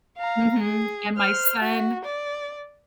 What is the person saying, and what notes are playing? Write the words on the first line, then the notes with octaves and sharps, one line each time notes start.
Mhm, and my son
F5 A#5
G#4
C5 F6
F#4
D5